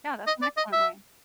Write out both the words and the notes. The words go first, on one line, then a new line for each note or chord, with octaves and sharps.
Yeah, that's an excellent way.
D#5
D5
D#5
E5